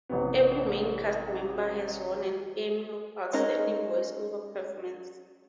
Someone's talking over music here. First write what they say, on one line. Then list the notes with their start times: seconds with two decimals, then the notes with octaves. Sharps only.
Every main cast member has won an Emmy for Outstanding Voice-Over Performance.
0.09 A1 C3 B3
3.33 G#3 C#4 D#4 G#4 A#4